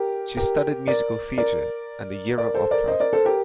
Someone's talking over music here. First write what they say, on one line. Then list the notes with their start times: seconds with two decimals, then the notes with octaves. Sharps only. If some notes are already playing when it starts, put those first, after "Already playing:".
She studied musical theatre and a year of opera.
Already playing: G4 A#4
0.37 G4 A#4
0.87 A#4 D5
1.38 A#4 D5
2.38 A#4 D5
2.54 A4 C5
2.71 A#4 D5
2.88 C5 D#5
3.00 A#4 D5
3.13 A4 C5
3.25 G4 A#4